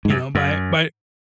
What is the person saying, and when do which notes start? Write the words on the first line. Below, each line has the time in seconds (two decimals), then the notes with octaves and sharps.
You know, by by
0.05 G#2
0.10 F#2
0.35 F#2